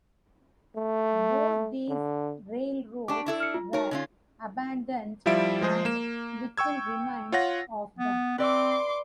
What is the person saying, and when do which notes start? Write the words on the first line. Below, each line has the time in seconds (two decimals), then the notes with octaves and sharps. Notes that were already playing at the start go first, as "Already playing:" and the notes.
Both these railroads were abandoned and little remains of them.
0.76 A3
1.88 D3
3.08 D4 G4 A5 C#6 D6
3.26 D4 E4 A4
3.40 F6 C#7
3.54 F4
3.73 D#4 F#4 A#4 C#5
3.91 D3 C#4 F4
5.26 F3 G3 E4 F4 E5 D7
5.61 F3 G#3 G#4 C5
5.85 A#3 E7
6.57 G5 C#6 E6 G#6
7.32 F4 C#5 F#5 A#6
7.99 B3
8.38 C4 B4 D5 E5 C6 D6